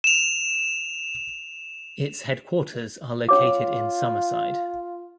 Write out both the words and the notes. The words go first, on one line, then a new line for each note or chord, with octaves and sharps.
Its headquarters are located in Summerside.
E7 F7
C#4 F4 C#5 D6